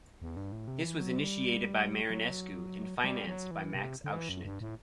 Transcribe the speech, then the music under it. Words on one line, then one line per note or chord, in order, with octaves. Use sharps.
This was initiated by Marinescu and financed by Max Auschnitt.
E2
G2
A2
C3
E3
F#3
G3
F#3
G3
F#3
E3
C3
D3
E3
F#2
G2
A2